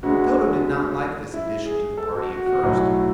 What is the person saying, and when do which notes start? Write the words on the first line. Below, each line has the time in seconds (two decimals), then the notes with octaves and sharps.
Toto did not like this addition to the party at first.
0.03 D2 D3 G#3 F#4
1.34 E4
1.66 G#4
1.97 A4
2.15 F#4
2.30 F#4
2.46 F#4
2.63 B1 A2 F#3